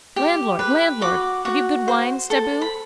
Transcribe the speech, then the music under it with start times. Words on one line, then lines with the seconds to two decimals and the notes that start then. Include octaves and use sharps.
Landlord, landlord, have you good wine, staboo?
0.16 G4
0.59 B4
1.01 F#4 D6
1.45 F#4
1.88 C5
2.30 A4
2.61 B5